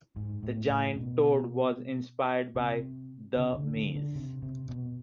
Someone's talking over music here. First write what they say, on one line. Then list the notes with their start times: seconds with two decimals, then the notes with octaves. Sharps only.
The giant toad was inspired by "The Maze".
0.16 G#2
0.43 A2
0.69 A2
0.96 B2
2.56 C3
3.36 C#3
3.55 D3
3.76 D3
3.96 D3
4.15 C3
4.42 C3
4.68 B2